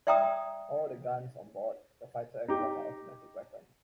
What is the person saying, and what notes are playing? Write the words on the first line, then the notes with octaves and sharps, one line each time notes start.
All the guns on board the fighter aircraft are automatic weapons.
D5 E5 G5 A#5 D#6
D#4 G4